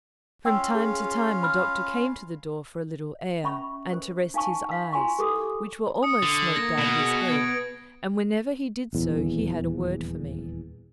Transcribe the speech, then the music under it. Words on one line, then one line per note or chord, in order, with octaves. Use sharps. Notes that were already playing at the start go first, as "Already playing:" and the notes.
From time to time the doctor came to the door for a little air and to rest his eyes, which were almost smoked out of his head, and whenever he did so, he had a word for me.
C#4 F4 F5 G5 E6
G#4
B5 F6
C#4 E5 B5 C#6
C5
D#4 F5 G#5 A5 C#6
F5
E4 F4 G#5 C6 C#6
G4 A4 D6 D#6
D#6 C#7
D3
A#3 G#6 A#6
B2
G#4
B3 G#6 D7
D#1 E2